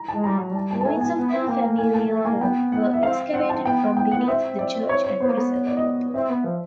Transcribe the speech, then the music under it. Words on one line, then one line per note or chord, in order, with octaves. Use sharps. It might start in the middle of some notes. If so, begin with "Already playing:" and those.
Ruins of their familial home were excavated from beneath the church and preserved.
Already playing: A#5
A5
G#3
G3 A#5
F#3
G3 A5
A5
A5
A3 G#5
B3
G#5
B3
C4
A#3 G5
G#5
A5
A3
A#3 G#5
B3 G5
F#5
E5
C4 F5
C4 F#5
A5
B3 G5
G5
F#5
B3
C4 E5
D5
C#5
C#5
B3 C5
A#3
B3
C#5
D5
D#5
D5
C4 E5
B3
F3